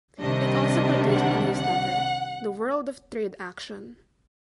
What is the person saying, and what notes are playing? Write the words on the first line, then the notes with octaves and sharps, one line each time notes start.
It also produced a newsletter, "The World of Trade Action".
C2 C3 D#3 G3 D4 D#5
F#5
F#5